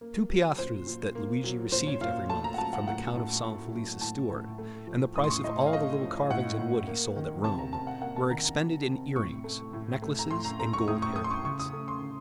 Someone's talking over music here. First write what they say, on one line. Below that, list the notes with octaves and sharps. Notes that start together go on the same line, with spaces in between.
The two piastres that Luigi received every month from the Count of San-Felice's steward, and the price of all the little carvings in wood he sold at Rome, were expended in ear-rings, necklaces, and gold hairpins.
A#3
F#3
A#2 C5
A#2
A#3
F#3
A#2 C5
C#5
A#2 F5
A3 A5
A#5
F#5
F#3 A5
F#5
A2 F#5
A2
A3
F#3
A2 A5
A2
A3
F3
A2 D#6
C6
C#6
A2 D#5
C#5
F5
A3 D#5
F3
A2 F#5
A2
A#3
D#3
C3 A5
A#5
C3 A5
F#5
A#3 F#5
A5
D#3 A#5
A#5
C3
C3
A2 C#6
A3
A2
A3
A#5
A2 C6
A#5
A3 A#5
C#6
A2 D#6
C#6
A3 D#6
C6
C#6
C#3 C#6
D#6
A3
C6
C#3